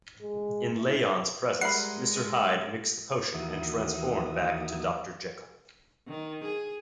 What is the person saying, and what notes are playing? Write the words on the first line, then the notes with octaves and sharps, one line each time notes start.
In Lanyon's presence, Mr. Hyde mixed the potion and transformed back to Doctor Jekyll.
G#3
E4
G3 G#3 A#4 E5 F#5 B5 C7
D#2 E3 A#3 F#4 E5 D#6
D#3
G#4